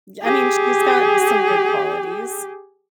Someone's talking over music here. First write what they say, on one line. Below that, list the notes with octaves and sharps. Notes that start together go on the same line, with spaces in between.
I mean, she's got some good qualities.
G4 G#4